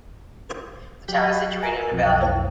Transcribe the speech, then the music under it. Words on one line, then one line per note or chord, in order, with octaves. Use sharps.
The town is situated in a valley.
F#3 G4 G6 B6
A#4 E5 G#5
B1 F2